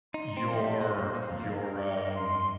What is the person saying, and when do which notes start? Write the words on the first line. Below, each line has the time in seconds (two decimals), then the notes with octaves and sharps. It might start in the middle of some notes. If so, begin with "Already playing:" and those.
your your, um,
0.14 D#4 C6
0.37 C4
0.48 D#5
0.53 F3
0.59 G3
0.80 A#2 C5
0.98 G2
1.14 A#2 F5
1.31 F2
1.40 A#2
1.47 G2 A#4
1.80 D#5
2.13 C6